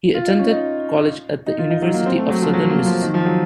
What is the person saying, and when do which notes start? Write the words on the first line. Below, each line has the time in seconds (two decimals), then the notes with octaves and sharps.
He attended college at The University of Southern Mississippi.
0.14 F4
0.27 D#4
0.39 C#4
0.51 D#4
1.46 D#4
1.58 F4
1.70 D#4
1.82 F#3
1.94 A#3
2.06 C4
2.18 A3
2.30 F#3
2.42 F3
2.53 F#3
2.70 A#3
2.86 F3
3.02 D#3
3.14 F3
3.25 F#3